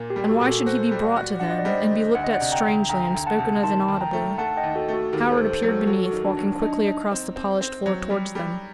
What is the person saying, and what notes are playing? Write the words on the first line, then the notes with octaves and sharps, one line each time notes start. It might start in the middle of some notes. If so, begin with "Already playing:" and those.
And why should he be brought to them, and be looked at strangely and spoken of inaudibly? Howard appeared beneath, walking quickly across the polished floor towards them.
Already playing: A#2 A#3
G4
G3
F#4 A4
A#2
F#4 A4
F#4 A4 C5
G3
D5 F#5
F#4
D4 F#5
D#5
D5
G3 C5 D#5
D3
D2 F#5
D#5
D5 F#5
C3
G5 A#5
D2
D2 G5 A#5
D2
F#5 A5
C3
D#3 A5 C6
D#2
G5 A#5
A3
A3 F#5 A5
D#5 G5
D#2
F#4 A4
A3
F#4 A4
D#2 G4 A#4
A4 C5
D#2
A4 C5
F#3
F#4 A4
F#3 F#4 A4
F#4
D#3
D4
F#3
D4 D#4
D#4
C4
C4
C4
F#3
G3
G3